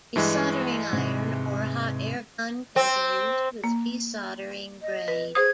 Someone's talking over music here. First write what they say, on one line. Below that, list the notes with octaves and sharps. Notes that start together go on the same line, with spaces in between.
A soldering iron or hot air gun can be used with desoldering braid.
G2 E3 G#3
G#2 C3
C4
A#3
D#5
B4
G#4 C5 D#6 G#6